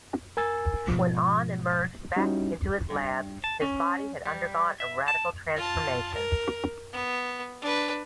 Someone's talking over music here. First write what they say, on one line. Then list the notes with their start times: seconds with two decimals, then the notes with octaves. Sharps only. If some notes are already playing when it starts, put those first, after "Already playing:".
When Ohnn emerged back into his lab, his body had undergone a radical transformation.
0.37 A#4 G#5 E6 A6
0.87 G#2 B2 F3 G#3
2.16 G3 C#4 D#4 E4 F#4
2.90 G2
3.44 A5
3.62 C#4
4.26 G3
4.80 E5
5.08 A5
5.56 F4 A5
6.14 A#4
6.93 B3
7.62 D4 B4